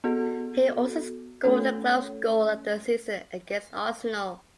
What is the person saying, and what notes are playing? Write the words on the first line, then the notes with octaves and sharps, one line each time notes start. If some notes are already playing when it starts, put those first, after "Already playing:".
He also scored the club's goal of the season against Arsenal.
B3 F#4 A4
A3 C#4 A4 C#5